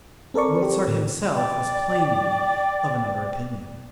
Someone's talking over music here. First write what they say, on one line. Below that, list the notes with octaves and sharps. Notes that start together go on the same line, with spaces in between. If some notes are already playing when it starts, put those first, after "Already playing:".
Mozart himself was plainly of another opinion.
C4 A4 A#4 D5 C#6
G4
A2
D5 G5 D6